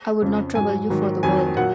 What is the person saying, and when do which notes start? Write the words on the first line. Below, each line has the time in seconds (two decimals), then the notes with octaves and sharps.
I would not trouble you for the world.
0.22 F2 C#3 F3
0.55 G#2 F#3 G#5
0.90 G#2 D#3 F#3
1.23 F2 D#3 F#3 G#5
1.57 A#2 F#3 F#5